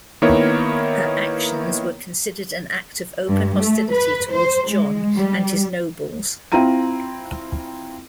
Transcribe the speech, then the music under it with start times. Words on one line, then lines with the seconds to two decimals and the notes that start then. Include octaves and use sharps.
Her actions were considered an act of open hostility towards John and his nobles.
0.22 D#3 A#3 B3 E4 A#4 C#5
3.28 G2
3.57 A3
3.92 B4
4.32 C5
4.70 G#3
5.16 G3
6.52 C4 E4 F4 A#5 D#7